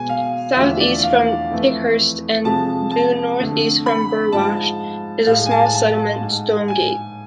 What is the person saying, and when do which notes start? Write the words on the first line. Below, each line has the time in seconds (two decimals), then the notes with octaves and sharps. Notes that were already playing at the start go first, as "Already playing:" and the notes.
South-east from Ticehurst and due north-east from Burwash, is a small settlement, Stonegate.
Already playing: B2 G#3 G#5
0.09 F5
0.56 E2 D3 F3 A3 E5
0.80 D5
1.03 F5
1.50 F2 E3 A3
2.45 F2 C3 F3 G#3 A5
2.91 A5
3.38 F2 D3 A3
3.86 B5
4.32 G#2 F3 G#3 A5
5.27 A2 G#3 F5
5.46 G#5
5.51 A5
5.74 A5
6.21 G#2 G#3
6.68 G#5